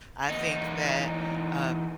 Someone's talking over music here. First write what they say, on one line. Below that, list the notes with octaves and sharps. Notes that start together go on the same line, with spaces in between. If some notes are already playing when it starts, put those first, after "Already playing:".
I think that, uh,
E2 D#4